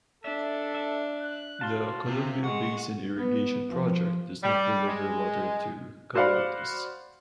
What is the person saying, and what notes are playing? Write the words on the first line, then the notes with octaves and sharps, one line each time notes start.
The Columbia Basin Irrigation Project does not deliver water to Kahlotus.
D4 A4 E5
E5
F#6
F#4 F5 A5 C6
C3
G#3 F#5 C#6
B3
F3
G3
G#3
F#4 C5 D5 F5 F#5 B5